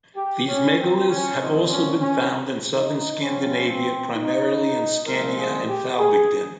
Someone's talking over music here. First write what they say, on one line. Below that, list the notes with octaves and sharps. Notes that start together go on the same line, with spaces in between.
These megaliths have also been found in southern Scandinavia, primarily in Scania and Falbygden.
G4
C#4
C4
C#4
C2 A#2 F3 C4 D#4
C#4
C#4
D#4
G2 F3 C4 C#4
C4
D#4
C2 A#2 F3 G#3 C4 A#4
G#4
G4
G#4